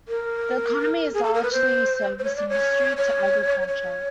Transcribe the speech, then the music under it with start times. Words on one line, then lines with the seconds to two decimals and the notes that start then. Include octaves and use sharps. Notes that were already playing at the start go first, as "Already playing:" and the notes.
The economy is largely service industry to agriculture.
0.08 A#4
1.14 G#4
1.24 A4
1.34 A#4
1.43 B4
1.52 C5
2.19 C5
2.24 C#5
2.36 D5
2.49 C#5
2.97 C#5
3.68 C#5